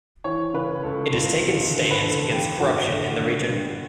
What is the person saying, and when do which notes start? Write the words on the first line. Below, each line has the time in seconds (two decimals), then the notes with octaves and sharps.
It has taken stands against corruption in the region.
0.24 E3 C#5
0.54 C#3 B4
0.83 C#2 A4
1.13 C#2
1.42 E2
1.71 D3
1.91 B4
2.01 D3 A4
2.24 A4
2.30 E2 G4
2.60 G2 F#4
2.89 D3
3.19 D3
3.48 G2